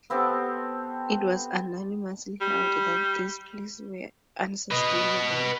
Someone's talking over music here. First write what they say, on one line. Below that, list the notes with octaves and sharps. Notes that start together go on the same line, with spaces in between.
It was unanimously held that these pleas were unsustainable.
B3 C4 G4 A4
G3
B4 D#5